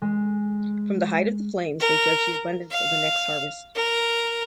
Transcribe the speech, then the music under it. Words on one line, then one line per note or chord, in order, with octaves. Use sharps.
From the height of the flames they judge the abundance of the next harvest.
G#3
A#4
F5
A#4